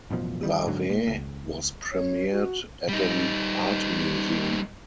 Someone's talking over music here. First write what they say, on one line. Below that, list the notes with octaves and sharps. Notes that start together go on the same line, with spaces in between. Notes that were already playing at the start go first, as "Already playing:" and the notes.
"Larvae" was premiered at an art museum.
A1 F#2 B2 F3
D#3 G3
G#2 D3 F#3
A#2
C#2
C#5
F#4
G3 D#4